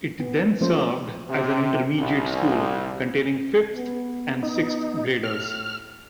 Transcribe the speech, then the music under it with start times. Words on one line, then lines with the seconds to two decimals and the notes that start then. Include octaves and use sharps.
It then served as an Intermediate School, containing fifth and sixth graders.
0.20 B3
0.61 F3 A3 A#3 C#4 A4 C5
1.29 C3
1.99 C2
3.75 B3
4.43 D#4
5.24 A2 F6